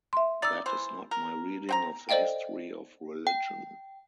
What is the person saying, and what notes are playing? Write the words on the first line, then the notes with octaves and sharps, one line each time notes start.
That is not my reading of the history of religion.
E5 C6
D#4 D5 E6 A6
E3 C5
A#4
C4 G5 A#5
A4 C5 D5 D#5 F5 G5
G5